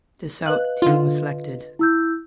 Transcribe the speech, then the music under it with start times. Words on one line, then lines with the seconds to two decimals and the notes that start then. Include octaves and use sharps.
The South team was selected.
0.46 B4 D#5 F5 F#6
0.82 D3 F4
1.79 E4 E6 G6